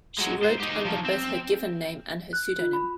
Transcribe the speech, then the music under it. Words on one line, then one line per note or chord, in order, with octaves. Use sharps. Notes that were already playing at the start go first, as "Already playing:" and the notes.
She wrote under both her given name and her pseudonym.
F#3 G#3
G#2 C5
D#4 G4
F3 F#3
C4
F#6
F4
B5